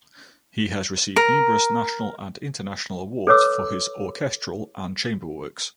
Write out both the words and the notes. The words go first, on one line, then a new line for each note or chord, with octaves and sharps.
He has received numerous national and international awards for his orchestral and chamber works.
A#4
A4 B4 C#5 D6 E6